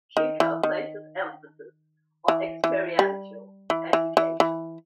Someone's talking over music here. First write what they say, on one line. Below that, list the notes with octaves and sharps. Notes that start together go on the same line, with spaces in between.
Keuka places emphasis on experiential education.
D#3
E3
D#3
E3
E3
G3
E3
E3
E3
E3